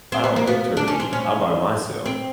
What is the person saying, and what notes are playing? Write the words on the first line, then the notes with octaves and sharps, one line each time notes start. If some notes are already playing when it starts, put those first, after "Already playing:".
I don't do turkey. I'm by myself,
C4
B3
A#3
B3
D4
C#4
C4
C#4
C4